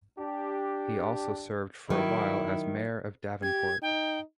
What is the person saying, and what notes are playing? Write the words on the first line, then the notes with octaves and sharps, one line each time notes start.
He also served for a while as mayor of Davenport.
D4 G4
D#3 F#3 E4
G4 G#6
D#4 G5